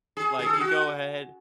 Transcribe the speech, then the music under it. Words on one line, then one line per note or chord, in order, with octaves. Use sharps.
Like, you go ahead,
G#4
G#4
A4
G#4
F#4